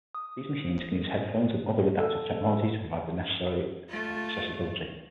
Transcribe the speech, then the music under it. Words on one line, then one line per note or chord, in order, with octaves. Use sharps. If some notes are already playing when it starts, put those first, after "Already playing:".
These machines can use headphones and other adaptive technology to provide the necessary accessibility.
D#6
A4
A3 F4